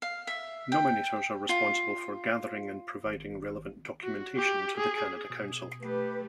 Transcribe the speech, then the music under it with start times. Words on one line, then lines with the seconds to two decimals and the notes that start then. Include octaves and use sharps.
Nominators are responsible for gathering and providing relevant documentation to the Canada Council.
0.02 F5
0.27 E5
0.72 G5
1.49 F4
3.05 G#1
4.03 F#4
4.36 G4
4.77 G#4
5.30 B2 D#6
5.81 A3 G4 B4